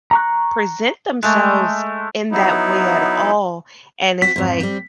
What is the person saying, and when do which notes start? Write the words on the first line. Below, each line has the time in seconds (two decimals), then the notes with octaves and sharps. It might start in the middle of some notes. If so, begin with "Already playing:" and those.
present themselves in that way at all," and it's, like
0.11 A#5 C#6 F#6
1.23 G#3 A3
2.32 F#3 B3 D#4 E4
4.22 C4 F#4 B6
4.36 F2 G#2
4.60 G3 C4